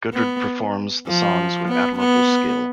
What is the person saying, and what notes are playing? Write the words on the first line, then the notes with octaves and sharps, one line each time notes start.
Gudrid performs the songs with admirable skill.
B3
F3
B3
B3